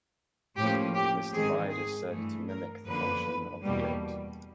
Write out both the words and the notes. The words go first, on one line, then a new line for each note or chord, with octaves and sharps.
This divide is said to mimic the function of the gate.
A2 F3 A#3 C#4 G4
G4
G#2 D#3 G#3 C4 G#4
G#4
G2 E3 A3
A#4
F#2 D3 F3 A#3 B4
E2 B2 G3 A#3